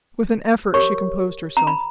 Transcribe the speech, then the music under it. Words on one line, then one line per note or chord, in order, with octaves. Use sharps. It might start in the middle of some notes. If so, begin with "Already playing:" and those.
With an effort she composed herself.
G4 A#4 C#5 C#6
A#5
B5